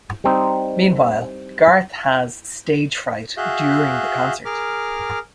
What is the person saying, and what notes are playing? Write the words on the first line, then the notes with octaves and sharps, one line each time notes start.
Meanwhile, Garth has stage fright during the concert.
G3 C4 D#4
F#4 G#4 E5 F5 F#6 G6
G#4 A#4 D6 F6